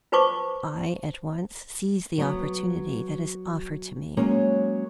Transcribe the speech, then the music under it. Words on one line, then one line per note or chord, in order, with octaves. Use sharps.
I at once seize the opportunity that is offered to me.
F4 B4 C5 A5 C#6 D6
F#3 B3
F#3 G#3 A#3 C#4